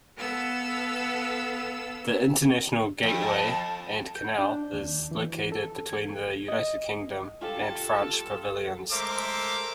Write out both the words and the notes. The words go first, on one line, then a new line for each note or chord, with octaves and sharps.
The International Gateway and canal is located between the United Kingdom and France pavilions.
B3 A4 F5 E6
F2
A5
G6
D4
D#2
E3
A4
G#6
D#5
F4 G4 A4
G#3 A3 A#4 C5 E5 D6